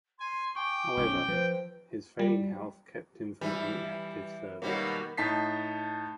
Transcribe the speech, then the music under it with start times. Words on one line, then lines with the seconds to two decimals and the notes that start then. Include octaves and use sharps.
However, his failing health kept him from any active service.
0.20 G#5 C6
0.55 G5 G#5 C#6 D6
0.97 B1 G3 C#4
1.28 F3 B4 C5
2.19 G3
3.41 E3 G3
4.62 B2 D#3 F#3 G3 A#3
5.17 A2 D#4 A5 B6 C7